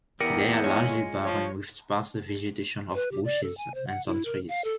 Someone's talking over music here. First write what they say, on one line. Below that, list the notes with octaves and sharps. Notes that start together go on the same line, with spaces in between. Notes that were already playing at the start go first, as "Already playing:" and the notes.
They are largely barren, with sparse vegetation of bushes and some trees.
E2 E4 G4 A#4 D5 A#6 C#7 D#7
G#3 F4 C#5 G#5
F3 C#5
B4
G4
D5
A4
G#5
C5
F#5
E4
A#4
F5
A4